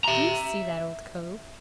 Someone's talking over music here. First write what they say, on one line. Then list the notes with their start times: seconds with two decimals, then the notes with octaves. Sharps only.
"Do you see that old cove?"
0.04 E5 A#5